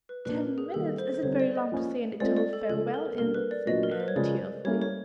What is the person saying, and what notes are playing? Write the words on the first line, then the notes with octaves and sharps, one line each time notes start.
"Ten minutes isn't very long to say an eternal farewell in," said Anne tearfully.
B4
A#2 F3 A#3 D4 B4
A#4
G#4
D#3 G3 A#3 A4
C5
C5
D3 G3 C4 D#4 C#5
D5
D#5
F3 A#3 C#4
G#3 C4 F4 A4 D5
D5
A4
C#3 F3 G#3 A4
A#4
B2 G3 A#3 D4 A#4
B4
D5
A#2 F#3 B3 D4 F#4 D#5
A#4
B4
C5
C#5
C#3 F3 G#3 D5
G3 A#3 C#4 E4 A4 C#5
C#5